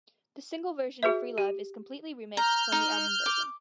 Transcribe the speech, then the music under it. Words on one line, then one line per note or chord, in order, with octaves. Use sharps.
The single version of "Freelove" is completely remixed from the album version.
F#4 G#4 B4 E5
G4
A#5 F6 G6
D#4
D6